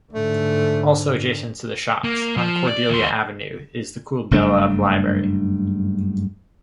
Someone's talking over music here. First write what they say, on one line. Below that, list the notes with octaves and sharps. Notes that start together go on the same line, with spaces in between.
Also adjacent to the shops, on Cordelia Avenue is the Coolbellup library.
G#2 D3 A3
A#3
F3
D5
D#2 C6
F#1 G2 A3 D4